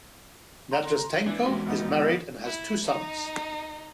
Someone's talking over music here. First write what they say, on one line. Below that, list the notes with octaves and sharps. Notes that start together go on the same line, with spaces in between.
Nazdratenko is married and has two sons.
A#5 C6
E3 D4
E2 G3 G#3 F#4
F1 B3 D#4
E4
D#4